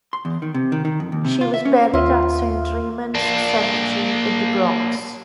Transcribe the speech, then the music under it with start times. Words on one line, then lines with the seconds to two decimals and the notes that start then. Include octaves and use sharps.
She was buried at Saint Raymond's Cemetery in the Bronx.
0.13 C6
0.25 E2
0.42 D#3
0.54 C3
0.72 D#3
0.85 D#3
1.00 F2
1.12 D#2
1.25 C3
1.41 F4
1.54 E5
1.65 C#4
1.94 D#2 F4 E5
3.14 A#3 D4